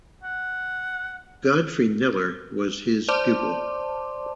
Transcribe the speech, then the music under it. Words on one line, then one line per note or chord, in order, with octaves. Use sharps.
Godfrey Kneller was his pupil.
F#5
C5 D5 A5 C6 D6